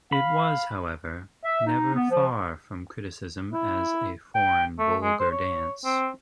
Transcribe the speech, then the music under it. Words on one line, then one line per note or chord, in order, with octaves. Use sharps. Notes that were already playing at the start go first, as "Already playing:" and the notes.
It was, however, never far from criticism as a foreign, vulgar dance.
F5 B5
E5
D#4
B3
F3
E4
G5
A3
G#3
C5
C#5
C4